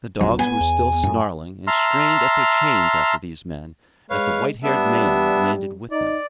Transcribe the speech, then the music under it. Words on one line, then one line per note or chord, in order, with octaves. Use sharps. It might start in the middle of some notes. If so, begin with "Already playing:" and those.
The dogs were still snarling, and strained at their chains after these men, as the white-haired man landed with them.
A#1 F2 F#3
B3 G#5
E2
F#2 A2
E5 A5 A#5 C6 F6
G#3 B4 C#5 F5
G3 B3 D4 E5
D#4 D5